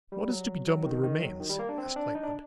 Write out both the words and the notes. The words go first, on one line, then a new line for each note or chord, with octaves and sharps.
'What is to be done with the remains?' asked Lightwood.
G3
F#3
F#3
D#3
D#3
F#3
D#3
G3
A#3
D4
C4
D4
D#4
D4